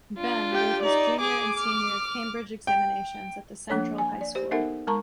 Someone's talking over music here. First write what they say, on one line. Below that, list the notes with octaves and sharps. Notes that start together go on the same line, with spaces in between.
Benn wrote his Junior and Senior Cambridge Examinations at the Central High School.
D4 F4
G4 G5
D#4 D5
G#4 D6
F6
G5
F3 A#3 D4 A4 C#5
G#5
D5
G4 C5
B3 D#4 A4 A#4 E5 F#5
G#3 A#4 A5 A#5 C#6